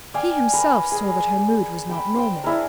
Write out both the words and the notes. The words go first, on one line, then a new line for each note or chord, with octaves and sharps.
He himself saw that her mood was not normal.
D5 F5 G5 G#5
A#4 B4
G#4
G5 B5 E6
C5 G5
D4 E4 G#4 A#4